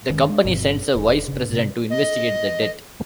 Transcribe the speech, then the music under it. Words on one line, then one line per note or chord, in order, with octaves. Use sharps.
The company sends a vice president to investigate the death.
F#1 D#3 G#3 C#4
G#3 D4
G1 G2 B2 C4
E1
F#1 C#3
G#2 C3
D#5